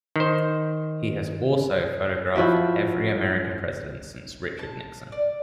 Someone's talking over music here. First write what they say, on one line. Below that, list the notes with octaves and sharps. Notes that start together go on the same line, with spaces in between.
He has also photographed every American president since Richard Nixon.
D#3 C5
F3 E4 F#4 E5
A5
D5